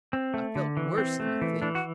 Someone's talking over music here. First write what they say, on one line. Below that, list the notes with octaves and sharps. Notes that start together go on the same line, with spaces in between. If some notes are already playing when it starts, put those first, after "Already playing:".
I felt worse than a thief.
C4
A3
D3
E3
C4
A3
E3
E3 D4
F#4